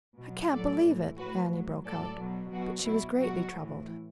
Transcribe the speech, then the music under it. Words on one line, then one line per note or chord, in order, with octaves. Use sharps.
"I can't believe it," Annie broke out, but she was greatly troubled.
B2 F#3
A2 F#3 A4 D5
A2 E3
A2 F#3 F#4 B4
A2 F#3
A2 F#3 A4 D5
B2 F#3
B2 F#3 F#4
B2 F#3 E4
B2 F#3 F#4
A2 E3